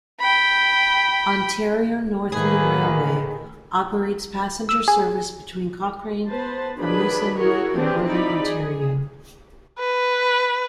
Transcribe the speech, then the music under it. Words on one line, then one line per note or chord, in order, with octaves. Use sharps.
Ontario Northland Railway operates passenger service between Cochrane and Moosonee in Northern Ontario.
G5 B5
A2 D#3 A#3 G#4 B4
E6
G#4
B3 B4 C5 A5
D#3 F#3 D4 G#4 B4 B5
E4 F#4 G#4 A#4 C#5
A#3 C4 D4 G4 G#4 B4
F3 D#4 E4 D5 B5
G#4
B4